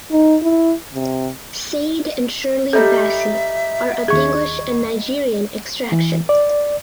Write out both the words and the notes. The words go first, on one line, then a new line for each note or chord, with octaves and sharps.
Sade and Shirley Bassey are of English and Nigerian extraction.
D#4
E4
C3
G3 D#4 A4 E5
D#2 G#4 C#6 G#6
E3
D5